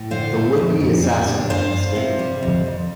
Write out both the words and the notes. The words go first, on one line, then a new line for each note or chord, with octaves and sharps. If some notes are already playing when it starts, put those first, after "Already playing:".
The would-be assassin escaped.
Already playing: A2
D3 C5 F5
A3
F2
F2
G3
D4
G2 C5 F5
G2
C3
G3
F2
F2